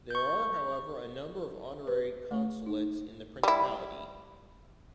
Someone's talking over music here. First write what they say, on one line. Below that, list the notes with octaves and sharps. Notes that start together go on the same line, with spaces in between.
There are, however, a number of honorary consulates in the principality.
C#6 G6
B4
A3
D#4
G3 E4